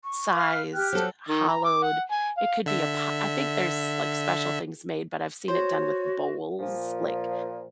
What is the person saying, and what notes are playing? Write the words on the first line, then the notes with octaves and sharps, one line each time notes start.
sized, hollowed It could be a po I think there's, like, special things made, but I've seen it done with bowls, like,
C#6
B4 F5 F6
G4 G5 F6 F#6
F#3 A4 C5
D#3
A#5
D6
F#5
G#5
F5
D3 E5
F#4 C5 C#5
A#2 F3